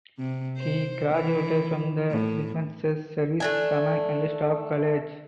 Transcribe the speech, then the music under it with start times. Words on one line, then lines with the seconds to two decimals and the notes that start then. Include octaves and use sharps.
He graduated from the Defence Services Command and Staff College.
0.19 C3
0.57 C5
1.11 E3
2.11 A2
3.40 A3 D4 G#5